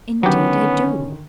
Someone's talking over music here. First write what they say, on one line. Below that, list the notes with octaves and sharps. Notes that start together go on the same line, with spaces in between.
Indeed I do.
D3 D#3 F#3 B3 C#4 G4